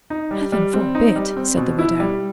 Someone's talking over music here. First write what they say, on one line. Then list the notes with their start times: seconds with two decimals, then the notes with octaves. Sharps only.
"Heaven forbid!" said the widow.
0.10 D#4
0.31 G3
0.52 G3
0.74 C4
0.95 D#4
1.16 G3
1.36 C4
1.57 B2
1.79 E4
2.00 G3